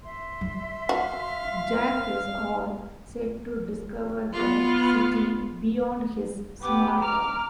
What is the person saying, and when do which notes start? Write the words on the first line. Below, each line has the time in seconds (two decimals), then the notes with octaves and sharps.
Jack is all set to discover the city beyond his small town.
0.02 E5 C6
0.41 G3
0.89 F#4 F5
4.33 B3 F4
6.62 B3 G4 D6
7.00 A#5 D6 F6